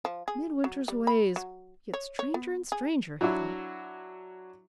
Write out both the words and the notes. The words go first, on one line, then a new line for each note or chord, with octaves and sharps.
"Midwinter's ways get stranger and stranger," he thought.
F3
G#4
F#3
G3
B5
F#3
C#5
C#5
B3
G#4
F#3 D4 E4 F#4